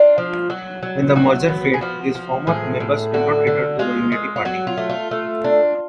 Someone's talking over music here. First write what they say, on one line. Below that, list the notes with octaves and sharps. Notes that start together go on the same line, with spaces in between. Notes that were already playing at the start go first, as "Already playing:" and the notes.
When the merger failed, these former members did not return to the Unity party.
Already playing: D4 F4
F3
F#3 F#4
F#3
F#3 F#4
B3
G#4
F3 F#4
F3
A2 G#4
A2
D3 F#4
D3
G#3 F4
G#3
F4
F#3 F#4
F4
A3
F4
A3
D4